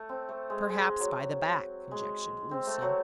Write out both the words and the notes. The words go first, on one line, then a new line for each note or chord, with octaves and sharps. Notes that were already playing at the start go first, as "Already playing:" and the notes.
"Perhaps by the back," conjectured Lucian.
Already playing: A3
C4
A3
G#3
G#3
F#3
G#3
C4
A3
F#3